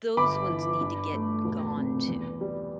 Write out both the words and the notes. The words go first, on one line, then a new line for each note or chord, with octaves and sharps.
Those ones need to get gone, too.
G1 B5 D6
E3
G2
A3
E1
C3
E2
G3